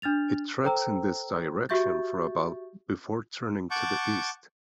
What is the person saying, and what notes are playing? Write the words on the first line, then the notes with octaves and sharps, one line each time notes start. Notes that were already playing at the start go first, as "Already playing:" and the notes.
It treks in this direction for about before turning to the east.
D4 F6 A6 F7
A4 C5 G5 A#5 E6
F#4 G4 E5 C#6 G6 A6
F#5 A5 C#6 D6 G6